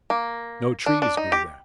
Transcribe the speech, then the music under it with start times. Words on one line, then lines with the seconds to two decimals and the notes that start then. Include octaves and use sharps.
No trees grew there.
0.10 A#3
0.86 D4
1.02 D4
1.17 D#4
1.32 G4